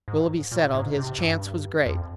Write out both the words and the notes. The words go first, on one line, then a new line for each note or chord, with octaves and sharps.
Willoughby settled, his chance was great.
G#2
A#2
G#2
C3
G2
F2